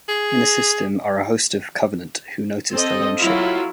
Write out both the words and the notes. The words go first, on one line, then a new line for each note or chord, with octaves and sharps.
In the system are a host of Covenant, who notice the lone ship.
G#4
C4 A4 D#5
F#3 E4 F4